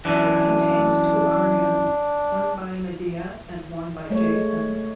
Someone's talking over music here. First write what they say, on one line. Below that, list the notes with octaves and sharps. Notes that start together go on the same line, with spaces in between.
It contains two "arias", one by Medea and one by Jason.
F#2 E3 D4
G#3 A3 C#5